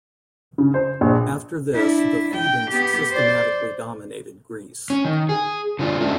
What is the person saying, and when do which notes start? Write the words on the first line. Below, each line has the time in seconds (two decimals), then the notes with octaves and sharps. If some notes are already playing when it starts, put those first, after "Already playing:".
After this, the Thebans systematically dominated Greece.
0.58 C#3
0.74 C5
1.01 A#1
1.74 D4 E4
2.34 G5
2.70 B3 G4
3.11 C5 D5
4.90 C#4
5.04 D#3
5.29 G#4
5.79 D3 F4 D5
6.00 G#3 A3 C#4 D4